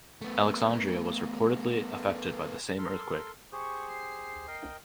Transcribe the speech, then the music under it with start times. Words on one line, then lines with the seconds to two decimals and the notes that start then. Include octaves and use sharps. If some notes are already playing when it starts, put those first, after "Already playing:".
Alexandria was reportedly affected by the same earthquake.
0.21 A3 B3
2.78 A4 A#4 C6
3.52 G4 G#4 C5 C#6
3.89 C7
4.48 A#4 D#5 G5